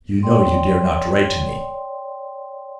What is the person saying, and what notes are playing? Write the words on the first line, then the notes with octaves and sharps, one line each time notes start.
You know you dare not write to me.
C#5 D5 G5 C6